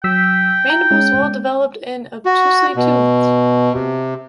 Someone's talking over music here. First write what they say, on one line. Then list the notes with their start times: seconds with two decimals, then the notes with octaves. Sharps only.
Mandibles well developed and obtusely toothed.
0.04 F#3 G5 E6 B6
0.70 A#5 G6
0.91 G#3 C#4
2.26 F#4
2.76 B2
3.73 C3